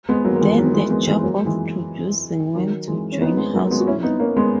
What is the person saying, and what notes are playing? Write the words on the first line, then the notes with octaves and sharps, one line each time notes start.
Then the job of producing went to John Houseman.
G#3 B3
F#3 A#3
A#3
E3 G#3
D#3 F#3
E3 G#3
G#3 B3
E3 G#3
G#3
F#3 A#3
E3 G#3
D#3 F#3
E3 G#3
C#4
B3 D#4
G#3 B3
F#3 A#3
G#3 B3
F#4
C#4 E4
B3 D#4
A#3 C#4
G#3 B3